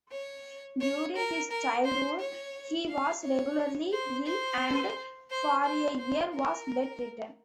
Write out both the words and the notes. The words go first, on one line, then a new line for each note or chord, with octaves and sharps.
During his childhood he was regularly ill, and for a year was bed-ridden.
C#5
C#5
A#4
A#4
C5
C#5
F5
C#5
C5
C5
C5
C5
C5
A#4